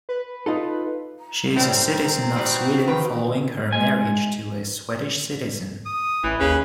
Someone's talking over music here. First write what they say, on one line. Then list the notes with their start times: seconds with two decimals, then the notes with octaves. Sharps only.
She is a citizen of Sweden following her marriage to a Swedish citizen.
0.09 B4
0.46 D#4 F4 A4
1.20 A#5
1.56 A2 G3 C4 C#4 G4 A4
2.36 G3 D#4 F#4 B4
2.87 D#3 G3 B4 F5 G5
3.72 G#3 G#5
5.86 D#6
6.24 A1 E3
6.40 D#2 C#3 B4